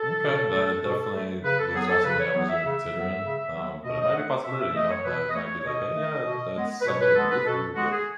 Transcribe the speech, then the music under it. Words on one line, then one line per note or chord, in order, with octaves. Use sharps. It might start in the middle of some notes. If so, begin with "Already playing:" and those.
Okay. That definitely that's not something I was even considering, um, but it might be a possibility, you know? It might be like, "Hey, yeah, that's something we can do for you." But
Already playing: A4
B2
A3
B2
A3
C#3 B4
A4
F#3 B3 G#4
A4
C#3 B4
C#5
F#3 B3 C#5
E5
C#3 E5
F#3 B3
C#3
F#3 B3
B2 D#5
D#5
A3 F#5
B2 E5
E5
A3 D#5
C#5
B2 B4
D#5
A3 C#5
C#5
B2 D#5
A3
B2
G#3 B3
B4
B2 C#5
B4
G#3 B3 A4
B4
B2 A4
G#3 B3 F#4
G#4